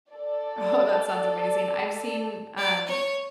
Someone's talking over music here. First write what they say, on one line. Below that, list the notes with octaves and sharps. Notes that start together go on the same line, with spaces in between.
Oh, that sounds amazing I've seen, um,
A4 D5
D5
C#5